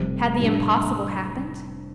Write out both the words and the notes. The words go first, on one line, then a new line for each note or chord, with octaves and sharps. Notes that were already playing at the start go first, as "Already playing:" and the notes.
Had the impossible happened?
Already playing: F1 F2 C3 G3
A2 G3 D4